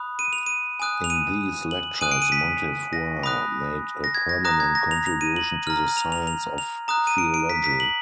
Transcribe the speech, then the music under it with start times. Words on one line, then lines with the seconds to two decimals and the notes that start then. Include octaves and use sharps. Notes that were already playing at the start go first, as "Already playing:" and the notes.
In these lectures, Montefiore made a permanent contribution to the science of theology.
Already playing: B5 D#6 F#6
0.19 D#7
0.33 F7
0.46 D#7
0.80 G#5 D#6 F#6
1.04 F7
1.10 D#7
1.71 F#7
2.01 G#5 D#6 F#6 D#7
2.12 D7
2.22 D#7
2.32 B6
2.93 A#6
3.23 B5 D#6 F#6
4.04 A#6
4.15 G#6
4.29 A#6
4.45 A#5 D#6 F#6 A#6
4.60 G#6
4.75 A#6
4.91 F7
5.06 F7
5.21 D#7
5.36 F#7
5.67 A#5 F6
5.97 F7
6.12 F7
6.27 F7
6.58 F7
6.88 A#5 D#6 F#6
7.07 D#7
7.18 D7
7.34 D7
7.50 B6
7.64 B6
7.80 F#7